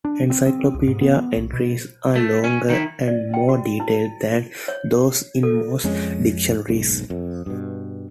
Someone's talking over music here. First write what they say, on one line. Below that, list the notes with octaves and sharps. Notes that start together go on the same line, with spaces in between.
Encyclopedia entries are longer and more detailed than those in most dictionaries.
D4
C4
C4
C2
G#2
B3
B1
B2
A3
C#4
D#3 E4
D5
G5
F#4
E4
C#5
A4
F2 G#3 C#4
F#1 B1 G#2
F2
G2 B2